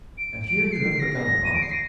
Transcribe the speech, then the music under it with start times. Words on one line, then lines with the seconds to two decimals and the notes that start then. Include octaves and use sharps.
And here you have begun upon it.
0.18 D7
0.46 D7
0.68 D7
0.72 C7
0.99 A#6
1.45 D#7
1.54 D7
1.62 C7
1.71 A#6